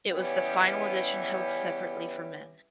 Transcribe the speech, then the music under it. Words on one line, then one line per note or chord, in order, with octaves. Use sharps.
It was the final edition held separately for men.
C#3 E3 G3 B3 C#4 G4